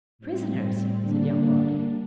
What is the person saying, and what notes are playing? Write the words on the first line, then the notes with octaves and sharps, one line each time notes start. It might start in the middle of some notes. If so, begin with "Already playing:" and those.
"Prisoners!" said young Robin.
A2 G3 C4
D3 G3 A#3 D4